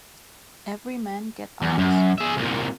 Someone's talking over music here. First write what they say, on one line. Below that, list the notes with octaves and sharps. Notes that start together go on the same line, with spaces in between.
Every man get arms.
E2
F#2
G#4 E5
C2 A#2